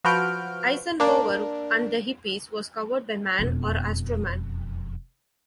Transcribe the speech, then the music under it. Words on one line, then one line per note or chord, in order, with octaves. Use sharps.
"Eisenhower and the Hippies" was covered by Man or Astro-man?
F3 F#4 B4 F6 G6 D7
A#3 D4
E1 F2